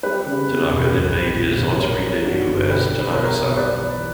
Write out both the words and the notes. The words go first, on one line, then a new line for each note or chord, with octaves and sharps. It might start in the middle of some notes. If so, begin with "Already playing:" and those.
Tanaka then made his on-screen debut as "Tanaka-San".
G3 G4 B4
C#3
E2
E1
A#1
G3
A#2
A#1
G3 A#4 C#5
E3
G2 D4 F#4
G1
B1 G4 B4
G3
B2 A#4 C#5
B1
G3 B4 D5
E3